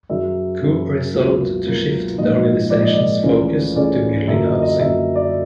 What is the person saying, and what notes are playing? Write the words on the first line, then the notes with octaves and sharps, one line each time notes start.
Koo resolved to shift the organizations focus to building housing.
F#2 C#3 F#3 E5
F#2 C#3 F#3
C#2 B2 F#3 A#3
C#2 B2 F#3 A#3
A#1 G#2 F3 D#5
A#1 G#2 F3 D5
D#5
D5
C#2 C#3 E3 A3 C#4
C#2 C#3 E3 A3 C#4 D5
F#1 F#2 D3 E5
D#5
D#5
F#1 F#2 D3 E5
D5